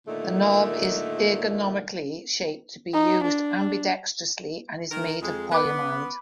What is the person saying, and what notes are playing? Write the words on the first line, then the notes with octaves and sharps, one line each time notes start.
The knob is ergonomically shaped to be used ambidextrously and is made of polyamide.
A#2 D3 D#3 A3
D#4
D4
D#3 A#4
F2 G#3
B3 B4 D6